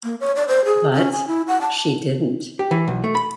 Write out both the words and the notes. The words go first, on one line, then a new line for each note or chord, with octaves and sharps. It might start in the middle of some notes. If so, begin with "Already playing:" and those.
But, she didn't.
A#3
C#5
D5
C5
G#4
C#4
G#5
E4
F#5
A5
G4
E3
B1
A3
B5